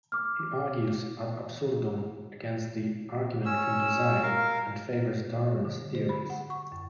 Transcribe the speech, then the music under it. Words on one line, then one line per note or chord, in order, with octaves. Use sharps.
He argues "ad absurdum" against the "argument from design", and favors Darwin's theories.
D6 F6
C#4 E6
A#4 F5
D3
C5
B5
F#5
C#6
F#2